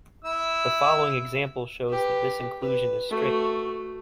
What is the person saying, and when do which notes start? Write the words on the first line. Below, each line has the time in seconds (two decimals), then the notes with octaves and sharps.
The following example shows that this inclusion is strict.
0.25 E4 E6
1.88 G4 B4
2.61 B4
3.10 A3 F#4